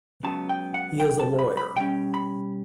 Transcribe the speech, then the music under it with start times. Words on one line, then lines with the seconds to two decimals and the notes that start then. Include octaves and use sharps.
He is a lawyer.
0.23 C#2 C#3 F#3 B3 A5
0.49 G5
0.74 F#5
1.00 G5
1.20 A5
1.39 B5
1.57 B5
1.76 B2 G3 C#4 G5
2.14 B5